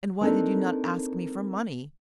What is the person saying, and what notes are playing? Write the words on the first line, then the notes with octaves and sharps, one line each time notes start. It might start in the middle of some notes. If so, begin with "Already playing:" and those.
"And why did you not ask me for money?"
A#3 C4 D4 D#4 A4